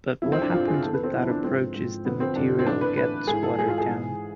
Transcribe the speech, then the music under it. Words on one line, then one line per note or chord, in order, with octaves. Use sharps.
But what happens with that approach is the material gets watered down.
F2 C3 F3 E4
C4
D4
F2 C3 F3 F4
G#4
E2 D3 F3 A4
B4
C4
E2 D3 F3 E4
D4
G#2 F3 C4
G#2 F3
F2 D3 F3 B3
C4
F2 D3 F3 D4
C4
A2 E3 D4
B4
A2 E3 B4
G#2 E3 G#4
A4
G#2 E3 G#4
F4
G#4
G#2 E3